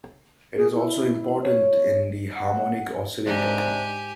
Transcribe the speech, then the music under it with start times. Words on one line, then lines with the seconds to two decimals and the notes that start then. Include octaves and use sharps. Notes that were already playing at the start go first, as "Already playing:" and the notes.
It is also important in the harmonic oscillator.
0.57 G#4
0.74 E4
1.42 C#5
2.35 F#5
3.26 G#2 C3 D4 G4 G#5